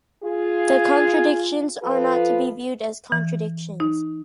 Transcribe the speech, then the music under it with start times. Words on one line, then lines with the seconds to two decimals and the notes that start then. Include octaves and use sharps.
The contradictions are not to be viewed as contradictions.
0.24 F4 G#4
1.82 F3 F4 A4 B4
3.12 E3
3.80 D#4